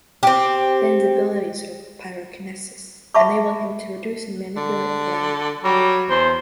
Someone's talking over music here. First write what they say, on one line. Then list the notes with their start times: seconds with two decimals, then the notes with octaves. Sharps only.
Ben's abilities are pyrokinesis, enabling him to produce and manipulate flame.
0.23 C4 G4
3.14 E5 F#5 A5 B5 C#6 D6
4.56 D3
5.64 F#3 G3
6.10 E2 C5